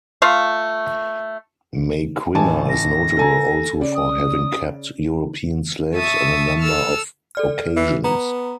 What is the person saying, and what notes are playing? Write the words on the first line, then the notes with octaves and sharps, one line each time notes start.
Maquinna is notable also for having kept European slaves on a number of occasions.
A3 F4 F5
A1 G#5 A5
A#6
A4 G#5 A#5
C#3 D5
D#6
E5 A5 C#6 D#6 E6
A4 E6 F6
A4 D5 F6
E3
B3 A#5